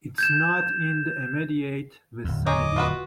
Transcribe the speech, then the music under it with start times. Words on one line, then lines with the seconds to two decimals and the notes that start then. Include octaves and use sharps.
It's not in the immediate vicinity.
0.18 G6 G#6 E7
2.24 D1 E2
2.46 G#4 C#5 D#5 A#5 D6
2.76 F4 F#4 B4